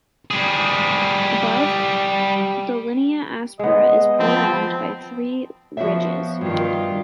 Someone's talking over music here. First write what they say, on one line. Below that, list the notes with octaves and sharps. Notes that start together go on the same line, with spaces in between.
Above, the linea aspera is prolonged by three ridges.
G3 G#4
G#3 B3 D#5
F3 C4 A5 B5
F3 B3 F#4 E5
G2 D#3 F4